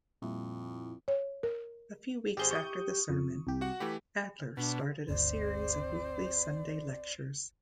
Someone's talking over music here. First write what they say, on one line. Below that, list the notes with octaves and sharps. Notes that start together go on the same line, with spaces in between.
A few weeks after the sermon, Adler started a series of weekly Sunday lectures.
F2 A#2 G3 E4
C#5
A#4
G#1 G4 G#4 C5 G6
C#6 D#6
F2
C2 G4
F#4 F#5
E3 A3 G4 B5
B2 D4
G1 D2 C4 C5 D5